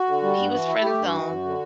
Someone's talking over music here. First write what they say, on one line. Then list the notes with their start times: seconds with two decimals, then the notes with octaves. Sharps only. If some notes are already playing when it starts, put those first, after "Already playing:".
he was friend zoned
Already playing: F#4
0.08 D3
0.23 G3
0.37 G2
0.53 E3
0.68 E4
0.83 A3 G4
0.99 G2
1.06 F#4
1.13 E3
1.29 F#2
1.45 D3